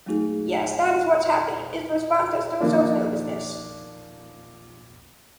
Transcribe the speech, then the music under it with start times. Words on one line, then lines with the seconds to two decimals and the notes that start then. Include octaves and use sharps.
Yes, that is what’s happening, is the response that still shows nervousness.
0.06 F#3 G#3 A3 D#4 F#4 G#4
2.60 D#3 F3 A#3 D4